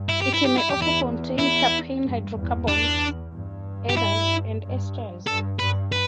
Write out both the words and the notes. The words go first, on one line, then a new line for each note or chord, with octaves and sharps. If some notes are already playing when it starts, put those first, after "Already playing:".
It may also contain terpene hydrocarbons, ethers, and esters.
Already playing: G2
E4
G4
E4
G4
E4
E2 G4
E4
E4
G2
E2
D4
G2
G4
E4
G2
G2 A4
G2 B4
B4